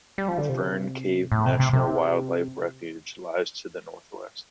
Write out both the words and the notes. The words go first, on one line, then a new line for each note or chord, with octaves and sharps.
The Fern Cave National Wildlife Refuge lies to the northwest.
G3
F3
D3
C3
A2
C3
C3
C3